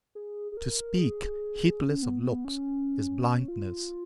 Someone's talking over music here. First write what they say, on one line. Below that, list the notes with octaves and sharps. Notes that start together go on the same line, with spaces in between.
To speak heedless of looks is blindness.
G#4
G#4
A#4
G#4
C#4
B3
B3
C#4
F4